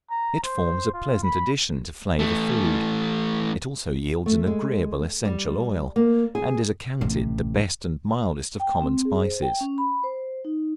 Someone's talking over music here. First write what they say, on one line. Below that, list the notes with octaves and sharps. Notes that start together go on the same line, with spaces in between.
It forms a pleasant addition to flavor food; it also yields an agreeable essential oil, and is accounted the best and mildest of common spices.
A#5
C5
F4
B5
E3 A3
A3
G#3
G3
A#3
G#4
A1 C3
G5
C4
G#4
C5
G5
C#4
B5
C5
D#4